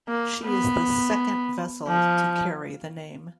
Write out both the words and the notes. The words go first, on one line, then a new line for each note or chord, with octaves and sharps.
She is the second vessel to carry the name.
A#3
B3
F3